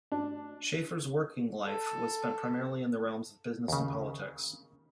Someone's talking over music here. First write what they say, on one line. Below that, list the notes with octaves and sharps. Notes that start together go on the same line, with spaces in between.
Schafer's working life was spent primarily in the realms of business and politics.
D4
A4
D#2 C#3